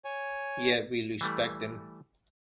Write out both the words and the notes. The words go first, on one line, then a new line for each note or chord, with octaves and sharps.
Yet we respect them.
C#5 G#5
E3 G3 A3